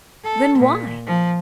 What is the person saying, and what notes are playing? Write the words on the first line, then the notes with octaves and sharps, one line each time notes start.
Then, why?
A4
A#2
F3